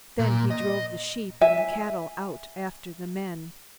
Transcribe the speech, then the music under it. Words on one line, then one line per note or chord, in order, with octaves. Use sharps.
Then he drove the sheep and the cattle out after the men.
A#2
D#5
E5 G#5